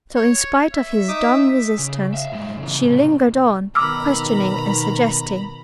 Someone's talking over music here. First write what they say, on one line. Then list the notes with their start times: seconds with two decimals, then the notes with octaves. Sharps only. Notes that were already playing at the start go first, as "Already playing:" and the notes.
So, in spite of his dumb resistance, she lingered on, questioning and suggesting.
0.16 C#5
0.73 E5
1.08 D#4 D6 D#6
1.79 C#3
2.14 E5 F5
2.32 A2 G#3
2.58 C#3 E3
2.82 A2 C3
3.75 B2 D#3 A#5 B5 D6 E6 F6